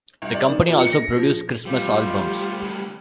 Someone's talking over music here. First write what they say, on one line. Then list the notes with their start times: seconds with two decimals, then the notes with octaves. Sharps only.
The company also produced Christmas albums.
0.22 C2
0.34 D5
0.49 D#3
0.68 A#2
0.79 C#7
0.93 A#6
1.16 F3
1.66 D2 G3 F4 G4 C5